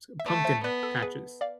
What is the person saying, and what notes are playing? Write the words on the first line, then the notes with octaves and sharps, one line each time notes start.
s pumpkin patches.
E5
A3 B4 D5
C5 E5
B3 B4 D5
A4
G#4 B4
D5 F5